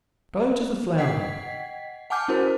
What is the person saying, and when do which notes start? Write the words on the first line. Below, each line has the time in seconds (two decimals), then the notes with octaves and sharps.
Go to the flounder.
0.98 D#5 F#5 G5 G#6 B6 C7
2.10 F#5 G#5 A5 D6 F6 G6
2.28 C#4 E4 F#4 A#4 C5